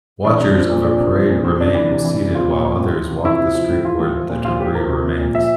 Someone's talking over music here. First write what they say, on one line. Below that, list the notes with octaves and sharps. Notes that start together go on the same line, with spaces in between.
Watchers of a parade remain seated while others walk the street where the debris remains.
E3 D4
C3
F3
A#2
F3 D4
C3
F3
A#2
F3 C4
C3 D4
E3
C3
E3
C3
F3 F4
A#2
F3
A2
E3
C3
F3 E4
C3
F3
A2
E3 F4
A2
F3
A#2
F3 F4
A2 G4
F3 A#4
C3
F3
A#2
F3 E5